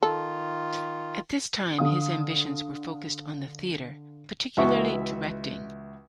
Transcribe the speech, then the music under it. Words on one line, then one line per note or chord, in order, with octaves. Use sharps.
At this time, his ambitions were focused on the theatre, particularly directing.
D#3 F4 A4
D3 F5 D#6
C#2 E3 F#4 E5 C#6